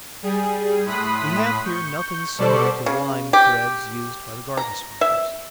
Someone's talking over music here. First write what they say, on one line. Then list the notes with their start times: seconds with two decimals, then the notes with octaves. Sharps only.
We have here nothing similar to the lime-threads used by the Garden Spiders.
0.23 G3 G#4
0.85 A2 B5 C6 D#6 F#6 B6
1.65 C#6 G6
2.38 B2 G3 A4 C5 D5 C#6
2.86 C#3
3.33 G4
4.57 A#5
5.01 E5